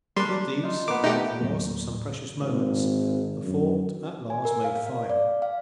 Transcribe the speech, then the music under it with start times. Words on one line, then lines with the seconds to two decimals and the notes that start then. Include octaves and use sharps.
With these, after the loss of some precious moments, the fort at last made fire.
0.16 G3 A#3 D4 C6
0.63 D#4 F4
0.88 A#3 B3 D6
1.04 E3 A3 D#4 G4 G5
1.41 D#1 A2 F#3 A#3
2.41 G#1
3.44 F#2
4.30 G#5
4.45 A#4
4.64 F5
4.87 F5
5.10 D5
5.42 F5